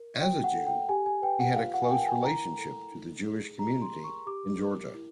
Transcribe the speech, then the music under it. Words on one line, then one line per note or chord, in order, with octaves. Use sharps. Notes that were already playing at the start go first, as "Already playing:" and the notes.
As a Jew, he had a close relationship to the Jewish community in Georgia.
Already playing: A#4
F#4 G5
F#5
A4
G5
G4 G#5
G#5
B4 G5
F#5
F4 F5
F#5
G#5
A#4 G5
G#5
E4 A#5
A4
D#4
G#4
G4 A#5
C6
A#4
C#6
G4 D6
A#4
E4